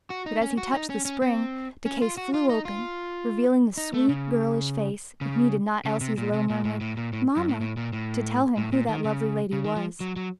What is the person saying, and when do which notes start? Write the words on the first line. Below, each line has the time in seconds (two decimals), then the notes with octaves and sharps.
But as he touched the spring the case flew open, revealing the sweet, girlish face, it needed not Elsie's low murmured "Mamma" to tell him who that lovely lady was.
0.10 F#4
0.26 D#4
0.41 C#4
0.58 F#4
0.73 D#4
0.90 C#4
1.05 C#4
1.22 C4
1.85 C#4
2.02 F4
2.17 F#4
2.34 F4
2.49 D#4
2.65 F4
3.77 D#4
3.94 A3
4.09 C#3
5.21 C#3
5.85 C#3
6.01 C3
6.18 A#2
6.33 C3
6.50 A#2
6.65 A2
6.81 A2
6.97 A#2
7.13 A2
7.37 F#2
7.49 A2
7.61 A2
7.77 A#2
7.93 A2
8.57 A2
8.72 A#2
8.89 D#3
9.04 C#3
9.53 C#3
9.64 D#3
9.76 F3
10.00 F#3
10.16 F#3